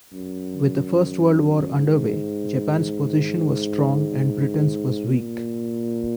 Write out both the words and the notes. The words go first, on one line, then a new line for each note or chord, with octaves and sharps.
With the First World War underway, Japan's position was strong and Britain's was weak.
F#2
G#2
A#2